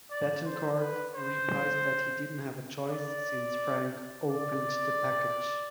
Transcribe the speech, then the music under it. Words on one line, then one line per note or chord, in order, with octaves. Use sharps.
Bettencourt replies that he didn't have a choice, since Frank "opened the package".
D5
C5
B4
C5
D5
D5